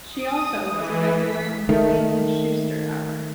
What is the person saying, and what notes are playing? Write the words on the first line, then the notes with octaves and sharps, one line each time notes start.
She also was a regular on the "Wayne and Shuster Hour".
D#6
E3
B6
D#3 A3